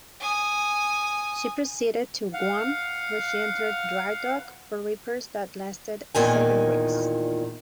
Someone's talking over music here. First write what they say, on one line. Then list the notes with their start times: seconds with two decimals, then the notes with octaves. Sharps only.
She proceeded to Guam, where she entered drydock for repairs that lasted seven weeks.
0.20 G#5 D#6
2.33 F5 F#5
6.15 E2 A#2 D#3 G#5